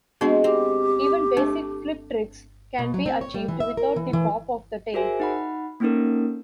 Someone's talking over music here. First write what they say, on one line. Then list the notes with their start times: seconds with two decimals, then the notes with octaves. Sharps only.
Even basic flip tricks can be achieved without the "pop" of the tail.
0.21 G#3 B3 C4 D4 F#4
0.44 C4 G4 A#5
1.37 A3 D4
2.79 B2
2.94 F#3
3.06 C4
3.21 C#5
3.34 G3
3.48 E3
3.60 E5
3.77 A#4
3.96 E3
4.13 E3
4.94 F#4 G#4 A#4 C5 E5 G#5
5.20 D#4 F#5 B5
5.80 A#3 C4 C#4 D#4 A4 A#4